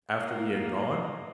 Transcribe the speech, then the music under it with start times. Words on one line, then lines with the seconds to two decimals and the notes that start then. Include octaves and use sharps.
"After we had gone?"
0.16 A#3